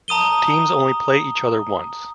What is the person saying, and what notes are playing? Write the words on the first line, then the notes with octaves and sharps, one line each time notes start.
Teams only play each other once.
A5 A#5 D#6 D#7 G7